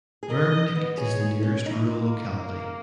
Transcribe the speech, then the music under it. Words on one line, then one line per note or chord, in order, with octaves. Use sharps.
Verbnik is the nearest rural locality.
G#4
A#4 D#5
B3
G#4 C#5
G#4
C#4
D#4 E4
A#3